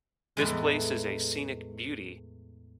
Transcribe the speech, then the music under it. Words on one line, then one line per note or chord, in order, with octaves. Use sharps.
This place is a scenic beauty.
E2 A2 E3 G#3